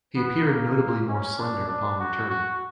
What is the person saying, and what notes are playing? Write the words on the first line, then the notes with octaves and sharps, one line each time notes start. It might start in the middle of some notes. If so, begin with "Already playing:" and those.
He appeared notably more slender upon returning.
B3
A#3
C#4
D4
D4
F#4
F#4